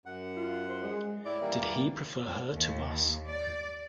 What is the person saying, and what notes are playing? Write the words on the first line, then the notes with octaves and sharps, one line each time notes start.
Did he prefer her to us?
F#2 F#5
F4
C5
G#3
A2 E4 D5
E3 G3 A#3
D#2
D5